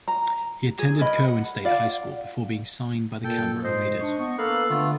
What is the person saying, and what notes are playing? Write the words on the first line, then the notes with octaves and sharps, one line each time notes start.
He attended Kirwan State High School before being signed by the Canberra Raiders.
A#5
G#4
A#4 B4 D#5 B5
F#5
F4 D5 F5 F#5
A#2 A4 G5
G#2 C5 D#5
D4 C#6
B3 C#6
A#3 A4 B4 F5 F#6
D3 A3 B3 F4